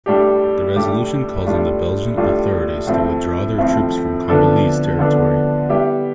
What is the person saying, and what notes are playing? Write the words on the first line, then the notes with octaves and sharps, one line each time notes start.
The resolution calls on the Belgian authorities to withdraw their troops from Congolese territory.
A2 G3 D4 G4
A2 G3 D4 G4
A2 G3 D4 F4
A2 G3 D4 F4
A2 F3 A3 C4 E4
A2 F3 A3 C4 E4
D3 F3 B3 D4 A4
D3 F3 B3 D4 A4
G3 B3 E4 G4